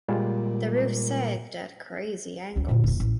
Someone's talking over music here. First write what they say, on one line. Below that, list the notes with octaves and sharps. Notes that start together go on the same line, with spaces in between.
The roof sagged at crazy angles.
A#2 G3 G#3 F4
D2 C#4
A#2 D3
E1 F4
A1